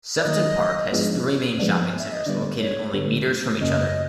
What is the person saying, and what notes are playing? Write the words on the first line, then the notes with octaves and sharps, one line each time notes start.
Sefton Park has three main shopping centres located only metres from each other.
D5
D#3 F#3 A#3 D#4 D#5
G#2 F3 G#3 B3 D4
G#2 F3 G#3 B3 D4
E5
D#5
D3 G3 B3 D5
C#5
D3 G3 B3
F#2 C#3 F#3 A#3 C#4 D#5